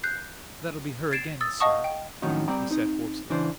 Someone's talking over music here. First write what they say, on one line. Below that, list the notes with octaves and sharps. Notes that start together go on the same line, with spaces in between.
"That'll be her again, sir," he said hoarsely.
F#6 G6 C7
G#6 A6 C7 D7 E7
D#6 E6 A6
D#5 F5 F#5 A5 C#6 D#6
G5
F2 A2 D#3 F#3 C#4 D#4
G3 C4 D5 G5 A#5
C4 D#4
C#3 E3 D4 C5